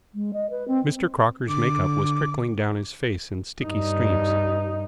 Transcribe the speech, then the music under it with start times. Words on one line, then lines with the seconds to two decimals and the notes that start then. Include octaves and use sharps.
Mr. Crocker's make-up was trickling down his face in sticky streams.
0.14 G#3
0.33 D#5
0.50 B4
0.67 C4
1.49 D3 D6
3.63 G2 D#4